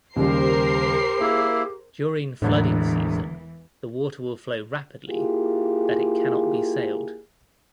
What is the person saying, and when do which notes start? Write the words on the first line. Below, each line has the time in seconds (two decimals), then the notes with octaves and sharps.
During flooding season the water will flow rapidly that it cannot be sailed.
0.16 D#2 C#3 G3 G4 A#4 C5 C7
1.20 A#3 E4 G#4
2.42 E1 A1 A2 D3 E3
5.09 A#3 E4 F4 G4 G#4